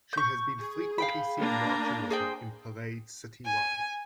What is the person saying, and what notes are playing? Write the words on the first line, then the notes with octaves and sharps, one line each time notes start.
She has been frequently seen marching with him in parades citywide.
C#6 G6
G#4
F5 G5 B5
A#3 D4 A#5
G#4 C5 G5
G#5